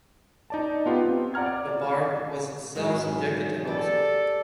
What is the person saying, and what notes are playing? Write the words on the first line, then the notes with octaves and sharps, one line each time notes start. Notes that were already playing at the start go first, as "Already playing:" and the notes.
The "Barb" was itself subjected to hoaxes.
D#4 D5 A5
B3 F4 G4
C4
D5 F#5 A#5 F6 G#6
D5
G#2 D#3 E3 F#3 G#3 A#3 G#4
G4 A4 D5